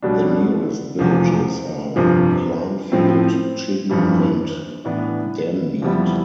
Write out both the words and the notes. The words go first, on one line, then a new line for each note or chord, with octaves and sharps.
The nearest villages are Clanfield, Chidden and Denmead.
B1 B2 G3 D4
F1 E2 C3 F3
G1 F2 C3 F3
A2 F3 C4
G1 F2 E3 G3
A2 E3 B3 D4
F2 E3 G3 B3 E4